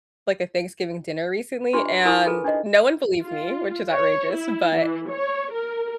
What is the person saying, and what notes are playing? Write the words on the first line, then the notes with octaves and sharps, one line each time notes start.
like, a Thanksgiving dinner recently, and no one believed me, which is outrageous, but
D4 F4 G4 B4 C6
E4 A#4 G#5 A#5 C#6 D#6
F4 G#4 A4 B4
D4 D#4 D#5
F4
C#5
E4
E3
C#5
A#4